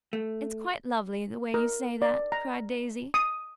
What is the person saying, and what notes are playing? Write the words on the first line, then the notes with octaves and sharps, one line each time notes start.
"It's quite lovely, the way you say that!" cried Daisy.
A3
A#4
D5
A#5
D#6